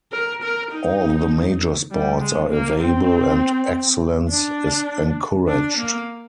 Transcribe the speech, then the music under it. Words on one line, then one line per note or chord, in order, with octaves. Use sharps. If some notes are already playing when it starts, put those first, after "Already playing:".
All the major sports are available and excellence is encouraged.
A#4
A#4
D#4
G3
G#3
A#3
C4
D4
D4
A#3